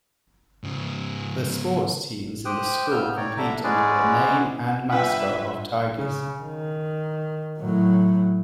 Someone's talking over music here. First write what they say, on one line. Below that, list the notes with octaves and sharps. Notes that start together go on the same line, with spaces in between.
The sports teams in the school compete under the name and mascot of tigers.
G#2 C#3
G4 C5 G5 D#6 F#6
C#3 B3 E6 F6 G6
C#5 D5 G5 A#5
D3 G3 D4 E5 A#5
G#3 C#4 F#4 G#4 B4 D5
G2 F4 B4 E5 F#5 G5
C#3
D#3
A2 F#3